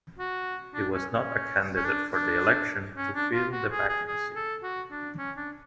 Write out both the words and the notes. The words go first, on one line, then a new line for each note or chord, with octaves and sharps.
He was not a candidate for the election to fill the vacancy.
F#4
D4
C#4
C#4
C#4
D4
D4
C#4
D4
F4
F#4
G#4
G#4
G#4
A4
F#4
D4
C#4
D4